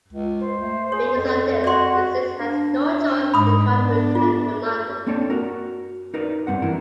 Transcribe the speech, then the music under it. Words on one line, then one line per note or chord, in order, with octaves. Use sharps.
Because of this, Essex had no choice but to try to return to London.
C#2
C5
A3
G#4 C#5
F2
F#4 D5 C6
D4
G#2 B5 D#6
B3 D4
F4
A#3 C4 D4 A4 C#5 D5
F#4 A#4
D#4 A#4 B4 D5
G2 G3 C4 F#5
E3 D4 E4 A#4